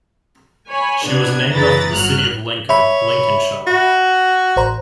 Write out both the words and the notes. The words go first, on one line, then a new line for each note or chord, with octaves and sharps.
She was named after the city of Lincoln, Lincolnshire.
C#5 G#5 B5
C3 B3 D4 G#6
F#2 E3 G#4 A#5 B5 A6
G1 F#3 F6 F#6
C#5 E5 B5
F#4
A1 C5 A#5